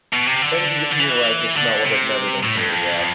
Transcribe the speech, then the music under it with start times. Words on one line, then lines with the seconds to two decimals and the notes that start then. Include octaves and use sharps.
And you're you're right, the smell of it and everything too, yep.
0.13 B2
0.27 C3
0.42 D3
0.92 D3
1.00 E3
1.57 D3
1.85 C3
2.43 A2
2.57 G2
2.72 F2